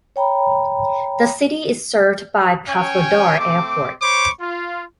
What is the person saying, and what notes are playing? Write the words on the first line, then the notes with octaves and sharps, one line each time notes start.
The city is served by Pavlodar Airport.
C#5 G5 A#5 B5
C#4 C#5 G5 G#5
A3 C4 D6
C5 C#5 B5 C#6 D6
F4